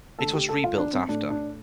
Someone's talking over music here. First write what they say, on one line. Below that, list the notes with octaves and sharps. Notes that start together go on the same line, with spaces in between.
It was rebuilt after.
D3 A3 A4
G4
A4
F4
D4
C4
A2 A3 D4
D4